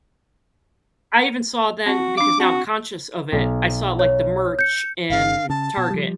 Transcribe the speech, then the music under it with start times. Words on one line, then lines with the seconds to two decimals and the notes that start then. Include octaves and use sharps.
I even saw then because now I'm conscious of it, I saw like the merch in Target.
1.86 C4 F#4
2.17 D4 F5 D6
2.40 C4 F#4 G5
3.32 B1
3.99 C#5
4.59 G6 C#7
5.10 G1 C#3 F5
5.50 C#3 A5
5.77 B2
5.90 F3 G3